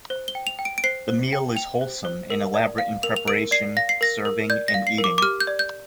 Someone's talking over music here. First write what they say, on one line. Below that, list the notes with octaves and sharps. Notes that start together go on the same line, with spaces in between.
The meal is wholesome and elaborate in preparation, serving and eating.
C5
G7
G5
F7
G5
D7
D7
C5 C7
C5
G5
G5 F7
C5
C5
A#4
D5
F5
A#4 F7
F7
A#4 D7
D5 C7
F5 A#6
C7
A#4 A#6
A#4
D5 G6
A#6
F5
C7
A#4
D6
D6
G4 F6
G6
D5
G6